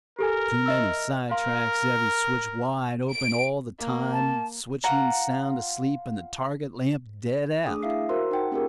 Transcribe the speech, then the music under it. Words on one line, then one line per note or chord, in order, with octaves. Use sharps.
Too many side tracks; every switch wide open all the time, switchman sound asleep and the target-lamp dead out.
G4 A4 A#4 G#5
D#5 E5 E6
A#4 F5 C6
D7
A#3
A5
F4 F#5 A#5
A3 D4 G#4 D#6
E4 E5 F5 C7
F#4 A#4 C5 C6
D#4 F#5 G5
A#3 C#4 F4 G4 G#4 A#4